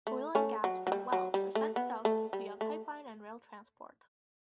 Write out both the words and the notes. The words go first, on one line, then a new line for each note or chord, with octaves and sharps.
Oil and gas from the wells are sent South via pipeline and rail transport.
A3
A3 C#4
F#3
F#3
G3
F#3
G3
A3
B3
A3
G3
A3